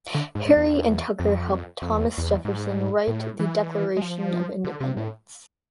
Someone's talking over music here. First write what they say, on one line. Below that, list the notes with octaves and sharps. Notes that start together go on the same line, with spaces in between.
Harry and Tucker help Thomas Jefferson write the Declaration of Independence.
D3
G#2
G#2
E2
F2
F2
E2
E2
G#2
A2
E3
G#3
F3
D3
C3
A2